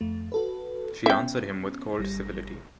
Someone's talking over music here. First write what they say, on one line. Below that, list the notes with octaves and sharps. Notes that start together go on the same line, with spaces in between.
She answered him with cold civility.
F2 A3
F#4 A4 B4
B3 C#4 E5 G5
G#1 G3 A#6